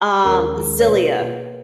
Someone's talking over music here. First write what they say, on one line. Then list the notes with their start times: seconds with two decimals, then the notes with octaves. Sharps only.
um, Xillia.
0.24 D#2 D#3 G#3 C#4 G#4 A#4
0.56 D#2 D#3 G#3 C#4 G#4
0.80 C#5
0.87 B2 A#3 F4 G#4 B4
1.19 B2 A#3 F4 G#4